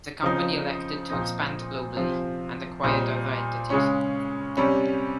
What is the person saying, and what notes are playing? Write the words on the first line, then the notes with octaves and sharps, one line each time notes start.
The company elected to expand globally, and acquired other entities.
C#3 F3 C4 D#4
A#2 F3 C4 D#4
C3 F3 C4
A#2 G3 C4 D#4
C#3 G#3 C#4
C3 G3 C#4